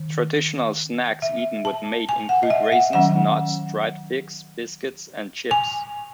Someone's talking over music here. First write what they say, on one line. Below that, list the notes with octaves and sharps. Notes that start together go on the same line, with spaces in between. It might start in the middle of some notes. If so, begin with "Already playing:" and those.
Traditional snacks eaten with mate include raisins, nuts, dried figs, biscuits, and chips.
Already playing: D#3
E5
A5
G#5
F#5
D#5
E5
F#5
D#3 F#3 C#4 F#5
G#5